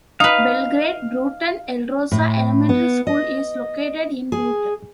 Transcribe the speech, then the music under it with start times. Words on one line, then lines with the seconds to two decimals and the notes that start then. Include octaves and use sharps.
Belgrade-Brooten-Elrosa Elementary School is located in Brooten.
0.20 D#4 B4 F5
2.12 A2
2.69 B3
3.07 D#5
4.32 G#4